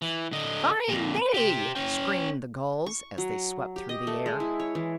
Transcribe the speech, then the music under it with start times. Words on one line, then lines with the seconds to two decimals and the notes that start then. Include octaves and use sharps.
"Fine day!" screamed the Gulls, as they swept through the air.
0.02 E3
0.32 D3 D#5
0.88 F2 A#2
1.34 G4 C5
1.75 C#4 G5
2.86 C#6
3.18 F#3
3.76 G4
3.89 D#5
4.07 A3
4.26 G#3
4.40 E4
4.60 C#5
4.75 E3